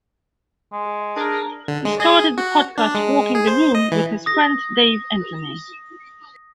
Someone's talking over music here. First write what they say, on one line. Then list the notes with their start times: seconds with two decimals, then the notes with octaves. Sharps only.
He started the podcast "Walking the Room" with his friend Dave Anthony.
0.72 G#3
1.15 D4 G#4 A#4
1.68 D3
1.85 G#3
2.00 G#4
2.38 F#4
2.78 D4
2.95 G#3
3.35 G#4
3.47 C5
3.75 D#5
3.92 E3
4.26 D#6 A#6